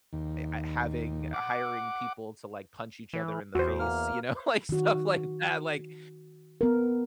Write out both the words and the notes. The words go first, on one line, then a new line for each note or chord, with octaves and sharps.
eh, uh, having hiring people to, like, punch each other in the face, you know, like, stuff like that, like,
D#2
F#5 D6
E3
E2 F#4 C5
A#3 F6
D#3 F#4
B3 A#4